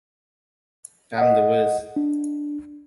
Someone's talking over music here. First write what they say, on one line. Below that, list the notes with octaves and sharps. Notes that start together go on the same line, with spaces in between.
I'm the Wiz!
D#5 F#5
D4